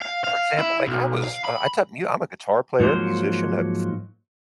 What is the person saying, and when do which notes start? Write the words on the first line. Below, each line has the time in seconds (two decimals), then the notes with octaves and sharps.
For example, like, I was uh, I taught mu I'm a guitar player, musician, I've
0.02 F5
0.24 F5
0.58 E4
0.87 B1
1.24 F5
1.45 B5
2.80 G#2 F3 F#3 A#3 C5